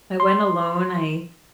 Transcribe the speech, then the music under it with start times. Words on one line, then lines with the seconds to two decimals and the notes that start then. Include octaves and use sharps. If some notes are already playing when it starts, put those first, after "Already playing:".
I went alone. I
0.20 C6